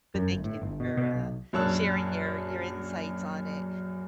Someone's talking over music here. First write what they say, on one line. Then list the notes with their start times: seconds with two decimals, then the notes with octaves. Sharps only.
but thank you for, uh, sharing your your insights on it,
0.15 F#2
0.31 G1
0.44 A2
0.62 G1
0.80 B2
0.97 B2
1.15 B1
1.53 A#1 F#2 C#5 A5 E6 F#6